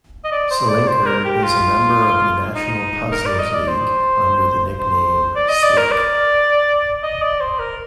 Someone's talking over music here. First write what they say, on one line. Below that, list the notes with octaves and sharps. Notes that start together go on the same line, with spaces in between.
Selinker is a member of the National Puzzlers League under the nickname "Slik".
D#5
D5
C5
D5
C5
A#4
G4
F4
D#4
A#4
D5
D#5
D5
C5
C5
D5
D#5
D5
A#4
D5
D#5
D5
C5
A#4